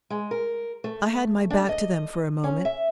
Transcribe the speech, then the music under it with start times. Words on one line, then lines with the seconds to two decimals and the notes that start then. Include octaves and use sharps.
I had my back to them for a moment.
0.10 G#3
0.31 A#4
0.84 A3
1.50 D4
1.69 D#5
2.44 C#4
2.65 E5